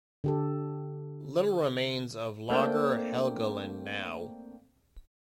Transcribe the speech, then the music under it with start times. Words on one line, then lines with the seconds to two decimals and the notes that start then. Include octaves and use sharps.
Little remains of Lager Helgoland now.
0.24 D3 G4 A4
2.50 A3 A#3 C4 D4 G5